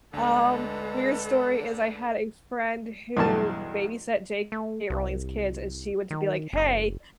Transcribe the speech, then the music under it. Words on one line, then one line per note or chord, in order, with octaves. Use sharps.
um, weird story is, I had a friend who babysat J.K. Rowling's kids, and she went to be, like, "Hey,
D2 D3 G#3 A4 B4
B1 E2 G2 A5
A3
C2
D#3
F#1